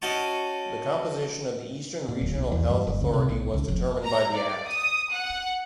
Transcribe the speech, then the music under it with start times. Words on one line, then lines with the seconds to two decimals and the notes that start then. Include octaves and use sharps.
The composition of the Eastern Regional Health Authority was determined by the act.
0.02 C#4 F#4 D#5 G5 A5 C#6
2.08 A#2
2.21 D1
2.35 B1
2.52 E2
2.70 G2
2.87 F#1
3.01 C#2
3.14 C3
3.29 B1
3.54 C#2
3.68 F1
4.04 A#5
4.35 D5
4.69 D#6
5.12 F#5